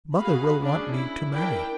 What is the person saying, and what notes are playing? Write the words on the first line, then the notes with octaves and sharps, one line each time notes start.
'Mother will want me to marry.'
F#4 G#4 F5 B5
C#4 D4 G#4
E4
D4 E4 A#4 G5